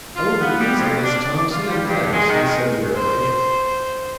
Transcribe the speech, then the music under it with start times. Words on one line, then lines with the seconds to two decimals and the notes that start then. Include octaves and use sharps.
"Over easy, Mrs. Thompson and thanks," he said wearily.
0.16 F4
0.40 B3
0.60 G3
0.78 F2
1.03 D4
1.22 D5
1.52 F4
1.69 G3
1.85 G2
2.13 G#3
2.29 D#3
2.47 G#3
2.94 C5